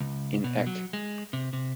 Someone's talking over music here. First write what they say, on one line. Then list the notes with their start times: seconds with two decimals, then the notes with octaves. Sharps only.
In Eq.
0.01 C#2
0.44 B2
0.67 F#3
0.93 G#3
1.33 C3
1.53 C3